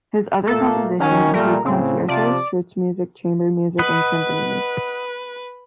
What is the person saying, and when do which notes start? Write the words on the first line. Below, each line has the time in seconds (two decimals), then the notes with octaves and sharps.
His other compositions include concertos, church music, chamber music and symphonies.
0.47 A#2 A3 A#3 A4
1.00 D#3 F#3 C#4
1.33 A#2 G3 A3 A#4
1.65 A2 C#3 C4
2.08 C3 F3 D5
3.79 B4 D#5 F#5 B5